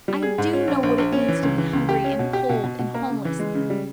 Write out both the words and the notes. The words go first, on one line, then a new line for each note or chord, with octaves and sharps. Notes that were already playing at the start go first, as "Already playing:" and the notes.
I do know what it means to be hungry and cold and homeless.
G3
G#4
G#2
C#4
A#1
A#1
A#1
C#4
E3
C#2
E3
C#2
G4
C#4
B2
G4
B2
B2
B2
A#3
C#3
E3
G#3
C#3
G3